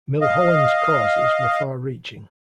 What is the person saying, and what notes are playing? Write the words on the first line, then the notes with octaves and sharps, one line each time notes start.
Milholland's causes were far reaching.
D#5 F5